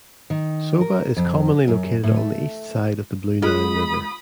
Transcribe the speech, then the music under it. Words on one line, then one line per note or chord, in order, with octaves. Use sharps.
Soba is commonly located on the east side of the Blue Nile river.
D#3
A#4
F2
F#2
A2
A3
G#3 F4 B5 D#6 F#6